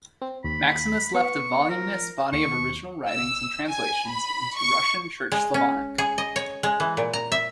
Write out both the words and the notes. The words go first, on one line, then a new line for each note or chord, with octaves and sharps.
Maximus left a voluminous body of original writings and translations into Russian Church Slavonic.
C4
D#2 B5
B3 C#6
F3 A#4
D#2 C#6
E6
G#5
B5
C#6
G#3
C#4
G#4
D#5
C#5
G#3
E3
A#2
A#5
E5